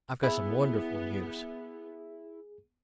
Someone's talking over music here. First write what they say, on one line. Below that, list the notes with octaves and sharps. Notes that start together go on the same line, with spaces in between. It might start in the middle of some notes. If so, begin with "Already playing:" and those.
"I've got some wonderful news."
B3 E4 G#4